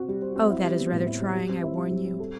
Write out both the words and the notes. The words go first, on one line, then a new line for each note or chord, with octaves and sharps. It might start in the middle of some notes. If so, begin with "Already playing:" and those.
"Oh! that is rather trying, I warn you."
Already playing: C4 F#4
G3
C5
C4
E4
G3
B3
A2
E4
G3
G3
C4
E4
G3
G3
C4
A4